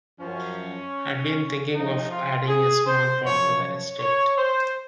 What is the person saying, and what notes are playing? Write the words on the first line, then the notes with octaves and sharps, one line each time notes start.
I'd been thinking of adding a small pond to the estate.
F#2 F3 C#4
C3 F3 D#4
F4
G#4
C5
F#2 F3 C#5
C#5
C#5
C5